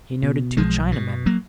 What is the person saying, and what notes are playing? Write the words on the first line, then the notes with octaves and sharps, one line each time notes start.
He noted two Chinamen.
B2
B1 F3 G#3
B2
F#3 A#3